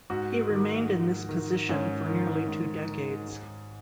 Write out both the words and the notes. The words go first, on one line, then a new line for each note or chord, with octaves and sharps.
He remained in this position for nearly two decades.
G#2 F#4
D#3
G#2
D#3
G#2 C#4
D#3
G#2
D#3
G#2